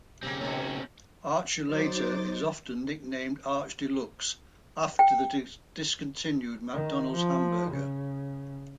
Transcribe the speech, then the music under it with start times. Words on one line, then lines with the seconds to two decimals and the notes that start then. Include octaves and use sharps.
Archuleta is often nicknamed Arch Deluxe, after the discontinued McDonald's hamburger.
0.23 B1 C#3 A#3 C4 C#4 G4
0.41 B2 D#3 A#3 C#5
1.67 F#3 D#4 C5 D6 A6
4.99 G5
6.74 D#3
7.12 F3
7.71 C#3